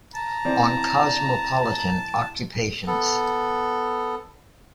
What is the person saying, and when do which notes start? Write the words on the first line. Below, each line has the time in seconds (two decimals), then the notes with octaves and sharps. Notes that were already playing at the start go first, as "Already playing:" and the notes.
'On Cosmopolitan Occupations.
0.14 A5 A#5
0.45 E3 C4 D5
2.87 B3 A4